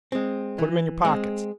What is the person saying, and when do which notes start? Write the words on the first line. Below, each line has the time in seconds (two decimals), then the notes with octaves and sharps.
"Put 'em in yo' pockets."
0.12 G#3 C4
0.59 E3
1.05 G#3 C4